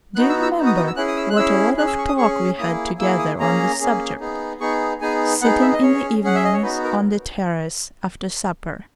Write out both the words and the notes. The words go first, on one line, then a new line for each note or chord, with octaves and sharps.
Do you remember what a lot of talk we had together on this subject, sitting in the evenings on the terrace after supper?
B3 D#4 F#4 F#6
E6
E6
B3 D#4 F#4
D#6
D#6
E6
C#4 E4 G#4 F#6
D#6
E6
F#6
C#4 E4 G#4 E6
C#4 G#4 F#6
E6
C#6
D#6
C#4 G#4 C#6
A#3 E4 G#4 D#6
A#3 E4 G#4 E6
D#6
A#3 C#4 G#4 A#5
A#3 C#4 G#4
B3 D#4 G#4
B3 D#4 G#4 C#6
B3 D#4 G#4 G#5
B3 D#4 G#4 F#5
E5
D#5
C#4 G#4 C#5
C#4 G#4 F#5
E5
D#5
C#5
B3 D#4 F#4 B4
A#4